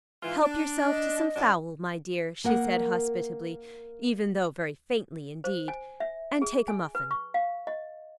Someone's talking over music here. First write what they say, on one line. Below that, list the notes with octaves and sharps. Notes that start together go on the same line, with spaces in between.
"Help yourself to some fowl, my dear," she said hospitably, even though very faintly indeed, "and take a muffin."
G#2 E3 F4
D4
D#5
F#2 D4
A#3 A#4 F#5
C5
G#5
E5
G#4
G#5
B4
C#6
F5
D#5